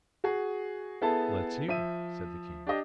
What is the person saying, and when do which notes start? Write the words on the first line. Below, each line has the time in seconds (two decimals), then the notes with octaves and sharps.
"Let's hear," said the king.
0.24 F#4 G#4
1.02 B3 E4 G#4 A4 A5
1.68 F3 E5 D#7
2.67 D4 G4 D#5